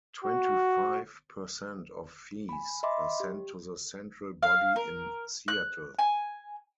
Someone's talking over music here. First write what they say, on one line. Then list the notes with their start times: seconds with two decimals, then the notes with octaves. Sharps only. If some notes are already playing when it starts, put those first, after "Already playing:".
Twenty-five per cent of fees are sent to the central body in Seattle.
0.24 F#4
2.49 G#5 B5
2.83 D#5 E5 B5 C6 D6
3.20 G4
4.43 F5
4.76 A#4
5.48 F#6
5.99 G#5